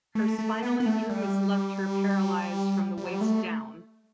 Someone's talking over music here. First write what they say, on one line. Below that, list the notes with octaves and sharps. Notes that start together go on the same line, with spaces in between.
Her spinal injuries left her paralysed from the waist down.
A3
A3
B3
B3
A3
G3
G3
F#3
G3
A3